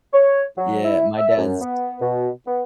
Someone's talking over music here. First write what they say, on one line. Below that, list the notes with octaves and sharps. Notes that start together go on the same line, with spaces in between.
Yeah, my dad's
C#5
F#3
E4
E5
F#2
B3
B2
B3